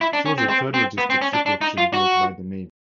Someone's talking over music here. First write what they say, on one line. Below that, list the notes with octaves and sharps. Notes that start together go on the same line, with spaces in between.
She was the third logistic support ship built by the Navy.
E4
D4
C#4
C4
C4
C4
B3
C4
C#4
D4
D4
D#4
F4
F#4